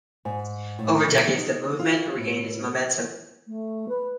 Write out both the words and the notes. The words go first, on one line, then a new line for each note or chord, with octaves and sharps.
Over decades, the movement regained its momentum.
G#2
A2
B2
E5
D#4
F4
A2
A3
B4